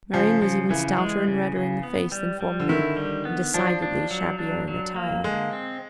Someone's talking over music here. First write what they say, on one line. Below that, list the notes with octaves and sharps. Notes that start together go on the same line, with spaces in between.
Marian was even stouter and redder in the face than formerly, and decidedly shabbier in attire.
C#3 F3
C#3 F3
C#3 E3
G#3
C#3
C#3
B3
G3
G3
D3
D#3 E4
G3
B3
F3 D4
D4
F#3
D4
F#3
A#3
D3 G#3
C4